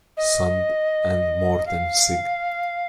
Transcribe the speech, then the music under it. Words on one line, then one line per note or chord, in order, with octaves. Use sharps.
Sundt and Morten Sig.
D#5
F5